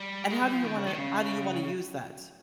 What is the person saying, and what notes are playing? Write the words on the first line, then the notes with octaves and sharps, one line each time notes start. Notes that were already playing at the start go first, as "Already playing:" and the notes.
And how do you wanna how do you wanna use that?
Already playing: G3
G#3
G3
F3
D#3
C#3
D#3
C#3